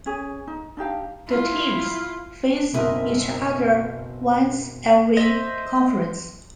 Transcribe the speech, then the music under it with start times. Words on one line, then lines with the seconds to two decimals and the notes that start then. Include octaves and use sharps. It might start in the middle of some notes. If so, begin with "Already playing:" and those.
The teams face each other once every conference.
0.06 C#4 G#4
0.47 D#4
0.77 D4 D#4 G4 F5
1.27 E4 F4
2.74 F#1 B2 C4 A#4 D#5 E5
5.17 C5 D#5 E5